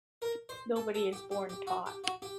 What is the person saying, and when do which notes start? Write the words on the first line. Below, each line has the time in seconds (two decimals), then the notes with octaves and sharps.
Nobody is born taught.
0.22 A#4
0.49 C5
0.76 A4
0.95 A4
1.13 G4
1.31 G4
1.49 G4
1.67 F#4
1.86 G4
2.04 F#4
2.22 G4